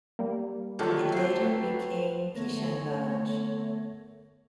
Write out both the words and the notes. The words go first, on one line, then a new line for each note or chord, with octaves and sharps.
It later became Kishanganj.
G3 A#3
D3 D#3 F3 F#3 A3 G4
A3 C4 C5 F#5 C7
B4
D3 A3 B3 A#4 C#5 A#6